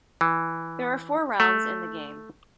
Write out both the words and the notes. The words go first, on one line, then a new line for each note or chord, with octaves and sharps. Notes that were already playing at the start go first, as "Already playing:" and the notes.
There are four rounds in the game.
E3
A3